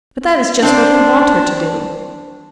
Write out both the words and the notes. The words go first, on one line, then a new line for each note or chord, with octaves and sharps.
But that is just what we want her to do.
C4 D4 C5 D5